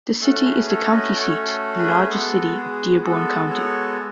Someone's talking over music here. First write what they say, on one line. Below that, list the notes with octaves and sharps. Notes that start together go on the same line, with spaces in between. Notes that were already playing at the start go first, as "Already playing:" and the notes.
The city is the county seat and largest city of Dearborn County.
A3 C#4 F#4 A4
G#4 B4
A4 C#5
B4 D#5
A3 C#4 F#4 A4 C#5
A4
G#4 B4
G#3 B3 F#4 A4
G#4
G#3 B3 F#4 A4
A4 C#5